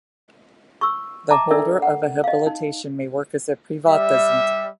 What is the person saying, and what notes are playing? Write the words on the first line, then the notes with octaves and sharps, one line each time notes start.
The holder of a Habilitation may work as "Privatdozent".
C#6 E6
D#5 E5 A5 A#5 D6
D4 A4 A#4 D5 E5
F#5
D#5 F5
D#4
G3 E5